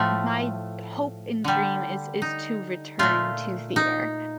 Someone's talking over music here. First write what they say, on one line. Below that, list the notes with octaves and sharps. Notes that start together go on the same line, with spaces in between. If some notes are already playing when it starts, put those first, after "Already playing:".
my hope and dream is is to return to theater.
Already playing: A2 F3 A3
D3 G3
D#4
A#2 A3 F4
D#4